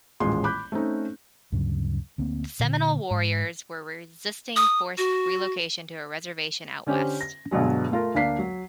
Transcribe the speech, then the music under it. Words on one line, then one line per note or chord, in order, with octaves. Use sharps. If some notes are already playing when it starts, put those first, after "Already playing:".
The Seminole warriors were resisting forced relocation to a reservation out west.
D#1 A1 G#3 F4 C6
B5 D6 F#6 G6
A3 C4 C#4 D#4
D2 G2 C#3 F#3
D2 A#3 C4
A#2 D3
G#2
D#6
F#4
D3 C#4 G4 C5
A#6
G2 B2 D3 F#3 G#3
A3 F4 A#4
D2 A#3 D4 F5 B6 C7
F#3